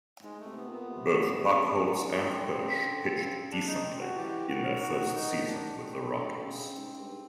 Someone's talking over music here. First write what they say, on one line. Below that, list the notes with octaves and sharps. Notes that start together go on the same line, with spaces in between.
Both Buchholz and Hirsh pitched decently in their first season with the Rockies.
G#2 G#3
A3
C3
B3
A#2 B3
C3
C#3
C3
C#3
D3
D#3
D3 C4
C#3
D3
C#3
C#3 D4
D#4
C4
F#4
E3 G4
D#3 F#4
F#4
D#4
D4
C4
D3
C#3
G#2
G2